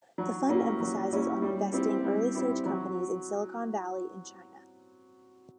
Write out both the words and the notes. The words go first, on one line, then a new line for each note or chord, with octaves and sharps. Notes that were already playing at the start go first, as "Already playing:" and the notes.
The fund emphasizes on investing early-stage companies in Silicon Valley and China.
F#3
A#3 C#4 E4 G4
F#3
A#3 C#4 E4 G4
G3
C4 E4 G4
G3
C4 E4 G4
F#3